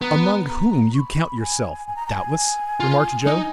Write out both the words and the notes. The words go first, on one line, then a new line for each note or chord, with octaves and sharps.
"Among whom you count yourself, doubtless," remarked Joe.
B3 A#5
A#5
C#6
B5
G#5
G#5
A#5
A#5
G#5
F4
D#4